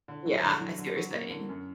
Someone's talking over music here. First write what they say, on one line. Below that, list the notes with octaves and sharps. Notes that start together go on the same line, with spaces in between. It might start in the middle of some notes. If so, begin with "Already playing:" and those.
Yeah, I see what you're saying.
D3
F#3
D3
F#3
D3
F#3
A#3
D3
F#2